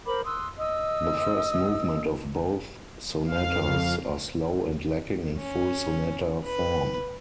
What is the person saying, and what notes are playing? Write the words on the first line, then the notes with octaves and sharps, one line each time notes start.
The first movement of both sonatas are slow and lacking in full sonata form.
A#4 C5 B5 D6
C6 D#6 E6 F#6
D#5 D#6 E6
F2 F5
C#4
B4